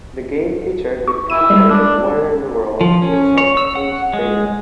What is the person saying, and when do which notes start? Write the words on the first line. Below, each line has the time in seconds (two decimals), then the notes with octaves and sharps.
The game featured the template of "Where in the World" with some changed data.
1.08 C#6
1.30 E4 D#7
1.50 G3 G#3
1.69 D4 D6 E6
2.81 F3
3.02 C#4
3.38 C#5
3.57 E6
3.75 F#5
4.13 G#3